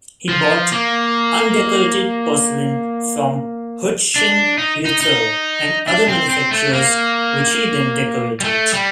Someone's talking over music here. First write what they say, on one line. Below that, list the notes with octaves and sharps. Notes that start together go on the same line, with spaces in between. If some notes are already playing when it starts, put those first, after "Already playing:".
He bought undecorated porcelain from Hutschenreuther and other manufacturers which he then decorated.
F3
A#3
D4
D#4
D#4
D#4
D4
C4
C4
A3
A#3
G3
A3
G3